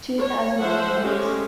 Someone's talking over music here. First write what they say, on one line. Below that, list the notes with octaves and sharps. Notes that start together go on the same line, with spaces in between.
Two Thousand Maniacs!
C#5
F3 C5 E5 F#5
G#3 A3 C#4 G4